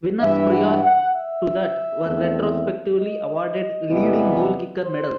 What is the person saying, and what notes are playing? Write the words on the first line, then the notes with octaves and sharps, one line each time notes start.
Winners prior to that were retrospectively awarded Leading Goalkicker Medals.
G2 E3 G3 E5
F#5
F#5
E5
E2 D#3 A3 C4
D#5
E2 C3 E3 G3 B3
C5